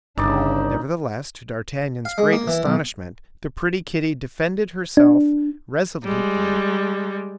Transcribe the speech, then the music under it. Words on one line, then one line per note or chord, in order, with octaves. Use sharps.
Nevertheless, to d'Artagnan's great astonishment, the pretty Kitty defended herself resolutely.
G1 C#3 D4 D#4 D5
F5
G#3
A#3
E3
B1
D4
G3 G#3